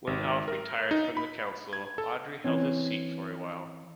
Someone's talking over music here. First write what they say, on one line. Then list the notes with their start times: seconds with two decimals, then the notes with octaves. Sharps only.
When Alf retired from the council, Audrey held his seat for a while.
0.07 G#1
0.48 A#4
0.91 D#4
1.17 B5
1.73 G#6
1.98 A4
2.44 E3 C4 C#4